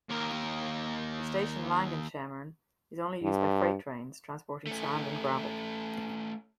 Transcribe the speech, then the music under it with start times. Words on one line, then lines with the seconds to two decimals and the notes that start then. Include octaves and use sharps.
The station Langenschemmern is only used by freight trains, transporting sand and gravel.
0.09 D#2 A#4
3.23 G2
4.67 A3 C#4